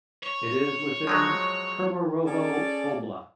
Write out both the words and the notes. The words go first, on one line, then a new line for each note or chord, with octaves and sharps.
It is within Kemerovo Oblast.
C#5
F3 F#3 G#3
C#4 G#4 A4 D5